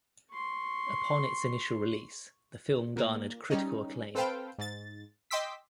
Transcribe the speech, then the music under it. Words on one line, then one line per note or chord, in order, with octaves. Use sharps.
Upon its initial release, the film garnered critical acclaim.
C6 C#6
A#2 A#3
G3 C#4 D#4
C4 A4 B4 C5 F5 G5
G#2 A6
D#5 G5 C6 D6 E6 B6